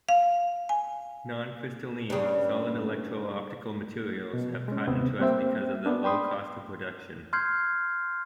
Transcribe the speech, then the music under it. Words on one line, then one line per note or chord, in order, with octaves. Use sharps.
Non-crystalline, solid electro-optical materials have caught interest because of their low cost of production.
F5
G#5
G2 C#3
B2
G#3 C#4
D#2 C3 B3 C4
G3 A#3 C4 C5 E5 G5
B3 D4
D5 G5 B5 C6 D#6
C6 F6 G6 G#6 C7